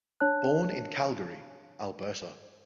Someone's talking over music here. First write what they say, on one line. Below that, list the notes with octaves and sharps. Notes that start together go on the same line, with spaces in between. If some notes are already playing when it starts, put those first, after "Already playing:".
Born in Calgary, Alberta.
D4 C#5 A5 F#6